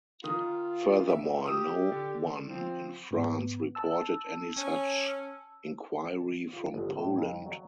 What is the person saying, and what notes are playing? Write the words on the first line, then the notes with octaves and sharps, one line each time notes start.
Furthermore, no one in France reported any such inquiry from Poland.
D#3 F4 D#6
E5
G4 D#6 E6
D3
F3 C4
G#2 B3
A5 E6
C#4
A5
F4
G1
A2
F2
F#3